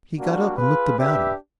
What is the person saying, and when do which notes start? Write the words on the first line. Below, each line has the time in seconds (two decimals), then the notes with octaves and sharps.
He got up and looked about him.
0.18 G3 A#3 D4 F#4
0.58 F4 G#4 B4
0.97 D4 G4 B4 E5